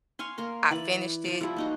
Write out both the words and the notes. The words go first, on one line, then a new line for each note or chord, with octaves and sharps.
I finished it,
C#5 F5 G#5 C6
A#3 A#4 C6
E3 D5 B5
F3 D5
F3 G3 E4
A#3 D#4 F#4